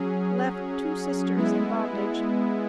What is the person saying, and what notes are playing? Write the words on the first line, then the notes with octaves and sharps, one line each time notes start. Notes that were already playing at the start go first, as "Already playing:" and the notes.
Left two sisters in bondage.
Already playing: F#3 C#4 G#4
G#3 B3 E4